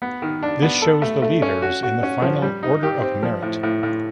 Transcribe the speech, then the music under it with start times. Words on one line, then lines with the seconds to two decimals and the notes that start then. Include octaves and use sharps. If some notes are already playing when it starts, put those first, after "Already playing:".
This shows the leaders in the final Order of Merit.
0.02 B3
0.22 D#3
0.43 D4
0.62 B3
0.82 A4
1.02 A3
1.22 A3
1.42 C#4
1.62 F#4
1.83 F#4
2.03 C#4
2.22 F3
2.42 G3
2.63 D#4
2.83 G4
3.02 C4
3.23 F3
3.42 A2
3.63 A2
3.83 A2